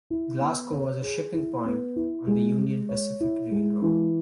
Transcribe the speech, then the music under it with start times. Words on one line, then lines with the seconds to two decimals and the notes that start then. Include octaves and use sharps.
Glasco was a shipping point on the Union Pacific railroad.
0.10 E4
0.41 B3
0.72 C#5
1.03 G#4
1.34 E4
1.65 B3
1.96 E4
2.27 G#3
2.59 G#3
2.89 C#5
3.20 E4
3.51 G#3
3.82 E3